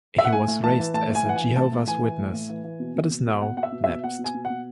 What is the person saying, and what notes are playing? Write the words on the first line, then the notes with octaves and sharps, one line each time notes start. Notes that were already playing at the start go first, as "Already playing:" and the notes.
He was raised as a Jehovah's Witness, but is now lapsed.
E5
F#5
A2 G#5
A2
E3 A5
E3
A2 A5
A2
G#5
E3 F#5
G#5
E3
A2 A5
A2
E3 G#5
E3
A2
A2
E3
E3
B2
B2
B2
B2
B2 F#5
B2 F#5
E5
B2
B2 E5
B2 F#5
B2
G#5
B2
F#5
B2